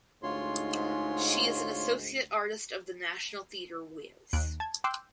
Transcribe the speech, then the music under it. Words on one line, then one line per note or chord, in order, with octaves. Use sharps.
She is an associate artist of the National Theatre Wales.
D2 G#2 D#4 F4 C#5 C6
D#2 F#6 D7
A5 G#6
G5 C6 D6 E6 F#6 G6